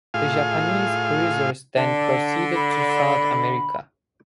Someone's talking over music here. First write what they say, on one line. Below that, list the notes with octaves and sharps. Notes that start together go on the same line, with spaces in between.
The Japanese cruisers then proceeded to South America.
A2 F4 G#4 F5
D3 A5
B5